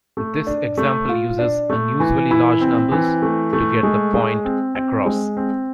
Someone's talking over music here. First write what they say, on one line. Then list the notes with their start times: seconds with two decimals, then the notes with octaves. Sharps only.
This example uses unusually large numbers to get the point across.
0.17 A3
0.47 D4
0.78 A3
1.08 F4
1.39 D4
1.70 A3
2.00 E3
2.31 E4
2.61 C4
2.92 E3
3.22 A3
3.53 A3
3.83 G#3
4.14 G#3
4.45 C4
4.75 C4
5.06 G#3
5.37 C4